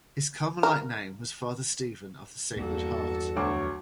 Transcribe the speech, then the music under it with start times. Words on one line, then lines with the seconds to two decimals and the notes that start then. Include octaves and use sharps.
His Carmelite name was Father Stephen of the Sacred Heart.
0.63 A#4
2.56 E2 G2 A#3 F#4 A4
3.36 D2 F#3 C#5 D6